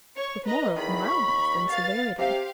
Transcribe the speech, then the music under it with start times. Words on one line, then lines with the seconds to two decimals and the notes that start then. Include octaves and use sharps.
"With more of mildness than severity."
0.17 C#5 C#6
0.46 B4 D#5 A#5
0.76 E2 D#3 B5
1.09 D#2 C#6
1.70 B4 F5 A6
2.18 C3 G4 C5 F5